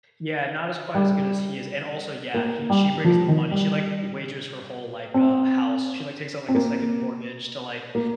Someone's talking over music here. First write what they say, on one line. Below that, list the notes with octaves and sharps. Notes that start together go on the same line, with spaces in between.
yeah, not as quite as good as he is, and also yeah, he she brings the money, she, like, wagers her whole, like, uh, house, she, like, takes out, like, a second mortgage to, like,
G3
A#3
G3
F3
D#3
G3
C4
C4
A#3
A#3